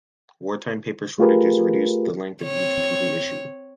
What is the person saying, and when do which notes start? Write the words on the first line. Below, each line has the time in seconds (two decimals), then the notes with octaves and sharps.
Wartime paper shortages reduced the length of each weekly issue.
1.19 A3 F4 G4 G#4 A#4 B4
2.43 C4 C#5